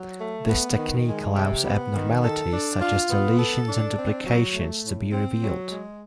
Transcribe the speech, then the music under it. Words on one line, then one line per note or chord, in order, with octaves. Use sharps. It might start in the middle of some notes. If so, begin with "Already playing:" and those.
This technique allows abnormalities such as deletions and duplications to be revealed.
Already playing: F#3
A3
B3
D#3
G#3
C3
B3
D#3
A4
D4
F4
B3
A4
D4
C4
F#3
A3
A2
C4
F#3
G#3